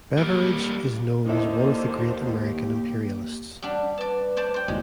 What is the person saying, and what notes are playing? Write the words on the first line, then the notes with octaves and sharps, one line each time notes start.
Beveridge is known as one of the great American imperialists.
G3 A#3
D#2 D3 D#3 D#4 E4 C5
G4
G3 D4 F#5
B4 D5 A5
C5 D5 A5
C5 G5
F#1 D#2 G#2 G#3 F#4